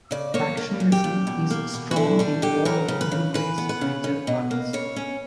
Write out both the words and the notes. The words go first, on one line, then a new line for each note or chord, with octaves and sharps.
Factionalism is strong in all of Uruguay's major parties.
C#3 D5
A#3 C#5
A#3
A#2
G4
A#2
B2
A#3
B2
F#4
D3 E4
G3 D4
D3 G4
F#3 A#4
C#3
B4
C#3
E3 B4
B3
B4
C#3
C#4
B2
A#3
C#3 C#5
C#4